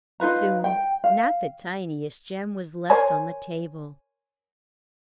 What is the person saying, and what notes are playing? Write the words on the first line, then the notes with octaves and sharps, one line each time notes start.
Soon not the tiniest gem was left on the table.
D#4 F4 B4 A#5
G5
F5
A#4 C5 C#5 G#5